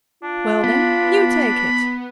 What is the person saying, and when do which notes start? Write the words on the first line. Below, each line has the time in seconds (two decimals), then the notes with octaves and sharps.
"Well, then, you take it."
0.23 D4 F4
0.64 B3 B5